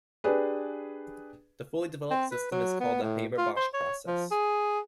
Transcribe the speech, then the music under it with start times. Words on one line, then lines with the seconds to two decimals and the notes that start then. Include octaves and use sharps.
The fully developed system is called the Haber-Bosch process.
0.24 D4 G4 G#4 B4
2.11 C4
2.32 B4
2.52 F#3
2.80 B3
3.03 A2
3.38 F4
3.57 C5
3.74 C#5
4.07 F3
4.31 G#4